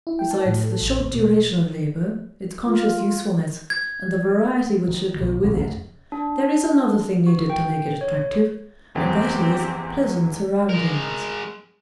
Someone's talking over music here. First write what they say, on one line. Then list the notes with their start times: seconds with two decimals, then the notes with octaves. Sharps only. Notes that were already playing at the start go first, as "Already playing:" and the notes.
Besides the short duration of labour, its conscious usefulness, and the variety which should go with it, there is another thing needed to make it attractive, and that is pleasant surroundings.
0.07 E4
0.19 G5
0.31 A5
0.46 A2
0.64 A4
0.81 A1
0.99 D#2
1.13 B2
1.31 G#3
2.67 F4
3.70 G#6
4.88 D#3
5.17 B1 B2 D#3 G3
5.42 D1 A#1 C#3 C4
5.56 G1 F2 A3
6.12 D4
7.26 F#4
7.50 G5
8.01 C#5
8.95 F#1 E2 E3 C4 G4
10.70 G#3 A#4